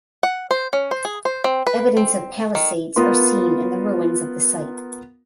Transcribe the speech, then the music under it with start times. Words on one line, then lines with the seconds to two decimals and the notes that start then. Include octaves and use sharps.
Evidence of palisades are seen in the ruins of the site.
0.23 F#5
0.51 C5
0.73 C#4
0.91 C5
1.05 G#4
1.25 C5
1.44 C4
1.67 B4
1.97 C4
2.55 D#3
2.96 B3 F4 A#4 C6